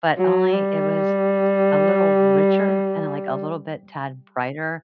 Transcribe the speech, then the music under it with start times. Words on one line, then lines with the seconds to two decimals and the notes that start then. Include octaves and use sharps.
but only it was t a little richer and, like, a little bit tad brighter,
0.19 F#3
0.53 G3